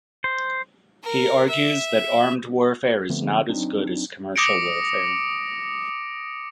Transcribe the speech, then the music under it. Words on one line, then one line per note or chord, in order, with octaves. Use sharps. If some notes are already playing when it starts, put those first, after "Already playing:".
He argues that "armed warfare" is not as good as "commercial warfare".
C5
A#4
E5
D3 F3 A3 B3 C4
F#3 C4 D4 D#4
D6 D#6 A#6 C#7 D7